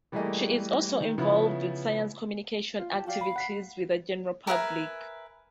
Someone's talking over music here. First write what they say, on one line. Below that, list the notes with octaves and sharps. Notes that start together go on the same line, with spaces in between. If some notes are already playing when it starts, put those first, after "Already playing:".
She is also involved with science communication activities with the general public.
E3 G3 A3 A#3 G#4 D#5
D#3
C#3 F3 B3 E4
F4
G4 A5
F#4 G4 D5 F5
B5
F#5 B6 C7
A#4 B4 E5 G#5